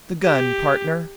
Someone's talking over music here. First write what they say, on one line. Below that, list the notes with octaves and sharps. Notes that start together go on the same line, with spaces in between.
"The gun, partner."
G4